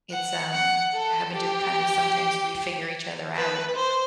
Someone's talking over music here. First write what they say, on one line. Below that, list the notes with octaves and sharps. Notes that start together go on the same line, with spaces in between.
it's, um, having to kind of sometimes refigure each other out
F#5
F#5
A4
G4
B4
C5